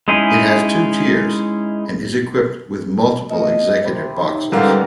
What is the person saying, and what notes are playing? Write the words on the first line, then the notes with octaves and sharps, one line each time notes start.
It has two tiers and is equipped with multiple executive boxes.
G#3 C#4 D#4 E4 G#4
A3 F4 D#5 E5
C3 C5 B5
D#4 C#5 E5
G#2 D3 G3 C#4 A#4 B4 D5 F5